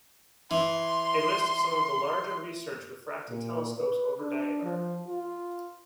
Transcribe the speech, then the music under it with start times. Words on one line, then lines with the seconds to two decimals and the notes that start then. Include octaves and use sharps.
A list of some of the larger research refracting telescopes over diameter.
0.51 E3 C6
3.30 A#2
3.78 B4
4.21 D4
4.63 F3
5.07 F4